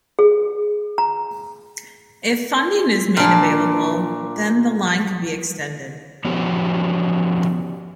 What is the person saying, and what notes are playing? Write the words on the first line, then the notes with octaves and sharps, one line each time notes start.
If funding is made available, then the line could be extended.
G#4
A#5
A#2 D4
F3 B3 C#4 F#4 G4